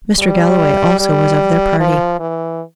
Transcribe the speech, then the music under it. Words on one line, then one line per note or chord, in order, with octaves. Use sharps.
Mr. Galloway also was of their party.
G3
G3
F3
E3